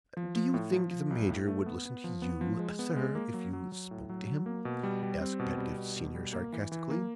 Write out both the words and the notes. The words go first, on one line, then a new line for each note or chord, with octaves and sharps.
"Do you think the major would listen to you, sir, if you spoke to him?" asked Pedgift Senior, sarcastically.
F3
F3
A2
F3
F3
B1
A2
A3
B3
B3
F3
B3
F3
G#3
B3
G#3
A#3
F#3
F#3
F#3
A2
F#3
F#3
A#3
B2
G3
G3
C4
B2
G3
B2
B2
G3
A#3
E3
E3
A#3